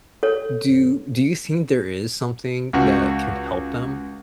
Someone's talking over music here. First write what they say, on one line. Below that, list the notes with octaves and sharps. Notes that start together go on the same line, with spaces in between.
Do do you think there is something that can help them?
A4 C#5
C#2 F#4